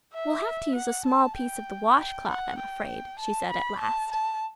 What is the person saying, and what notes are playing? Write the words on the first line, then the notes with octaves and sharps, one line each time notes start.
"We'll have to use a small piece of the wash-cloth, I'm afraid," she said at last.
E5
F#5
A5
G5
G5
F#5
G5
A5
B5
A5
A5